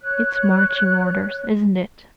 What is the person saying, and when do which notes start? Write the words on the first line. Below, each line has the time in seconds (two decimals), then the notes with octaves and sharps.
"It's marching orders, isn't it?"
0.02 C#5 F#6